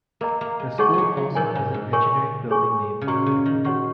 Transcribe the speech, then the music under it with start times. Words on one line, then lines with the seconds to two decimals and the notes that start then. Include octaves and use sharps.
The school also has an engineering building named after him.
0.21 A#3 A#4 D#5 A#5
0.41 A#3
0.60 G#3
0.78 G#3 D#4 G#4 C#5 F#5 C#6
0.94 F#3 G#3
1.17 F#3
1.35 A#2 D#4 A#4 C#5 G#5
1.55 G#2
1.74 G#2
1.93 A#2 A#4 C#5 G#5 C#6
2.51 G#4 C#5 G#5 C#6
3.01 C#3
3.07 A#2 F#4 D#5 A#5 C#6
3.26 C#3
3.46 D#3
3.65 D#3 F#4 C#5 F#5 C#6